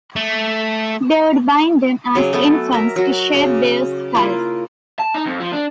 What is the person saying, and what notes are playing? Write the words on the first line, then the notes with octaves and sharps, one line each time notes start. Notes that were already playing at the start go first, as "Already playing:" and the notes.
They would bind them as infants to shape their skulls.
A3
C#3 F#3 G#4 D6
A3 B3 A4 G#5
A#4 E5
F#3 F#4
C#3
A#3 E4 F4
A5
D#4
F2
F3
D4